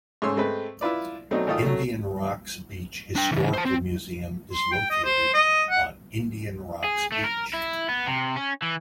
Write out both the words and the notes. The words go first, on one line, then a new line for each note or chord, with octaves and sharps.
Indian Rocks Beach Historical Museum is located on Indian Rocks Beach.
G#2 C#3 A3 C#5 C6 E6
G#3 A3 C4 B4
E4 F4 B4 D5
B2 F#3 A3 C4 D4 D#4
G#1 D#3 A3 F4 D#6
F#3 A3
D4 G5
C#3 E3
C5 A5
C4
C6
G5
D#5
C5
D#5
F#5
G#4
A3
A#4
E4
B3
C3
C#4
E3